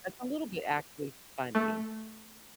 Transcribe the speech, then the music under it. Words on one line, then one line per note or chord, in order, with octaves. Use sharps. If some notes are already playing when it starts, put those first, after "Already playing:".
That's a little bit actually funny.
A3